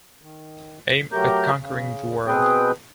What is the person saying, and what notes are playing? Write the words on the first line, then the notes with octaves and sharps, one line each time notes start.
Aim at conquering the world.
D#3
F#3 A3 G4 A#4 A#5 G6
C#3
B2 C4 G#4 B4 G5